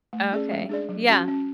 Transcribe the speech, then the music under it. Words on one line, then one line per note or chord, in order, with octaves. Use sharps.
Oh, okay, yeah.
A3
C#4 G#4 D5
G#3
D4 G#4 D5
F#3
C#4 F#4
C#4